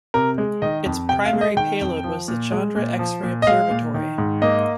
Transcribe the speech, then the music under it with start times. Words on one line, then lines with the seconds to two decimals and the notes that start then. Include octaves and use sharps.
Its primary payload was the Chandra X-ray Observatory.
0.14 C3 A#4
0.38 G#3
0.62 D#3 D#5
0.86 F2
1.09 C3 G5
1.25 F5
1.33 G#3
1.41 D#5
1.57 D#3 G5
1.81 F2
2.04 F3
2.28 A#2
2.52 G#3
2.76 A#2
2.99 F3
3.23 A#2
3.42 D#5
3.47 G#3 F5
3.70 A#2
3.94 D#3
4.18 G#2
4.42 A#3 D#5